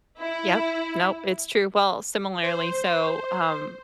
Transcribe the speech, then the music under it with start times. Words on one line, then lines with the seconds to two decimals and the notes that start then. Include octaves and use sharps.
Yep, nope, it's true, well, similarly, so, um,
0.18 E4
2.43 C5